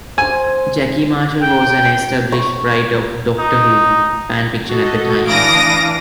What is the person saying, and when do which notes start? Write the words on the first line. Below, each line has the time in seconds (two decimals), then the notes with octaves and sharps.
Jackie Marshall was an established writer of "Doctor Who" fan fiction at the time.
0.18 C5 G#5
1.41 G5
2.32 C#6
3.39 D#4
4.69 F#4 A4 D#5
5.27 E3 D4 F5 D#6 A#6 D7